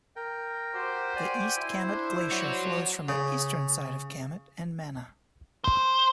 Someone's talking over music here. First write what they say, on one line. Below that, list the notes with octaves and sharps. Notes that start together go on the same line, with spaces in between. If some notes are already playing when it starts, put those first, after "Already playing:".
The East Kamet Glacier flows from the eastern side of Kamet and Mana.
A#4 G5
F#4 G4 C5
D5 G5 G#5
E4 C5
D4
F#4 C#5 D5
C#3
C5